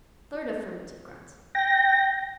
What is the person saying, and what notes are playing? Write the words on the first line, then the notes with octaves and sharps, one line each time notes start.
Third affirmative grunt.
G5 A#6